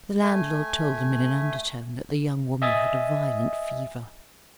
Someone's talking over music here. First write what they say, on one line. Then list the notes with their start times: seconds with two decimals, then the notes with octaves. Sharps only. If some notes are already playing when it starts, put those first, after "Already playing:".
The landlord told them in an undertone, that the young woman had a violent fever.
0.22 A3 G#5
2.62 D#5 E5 G#5 D#6 A6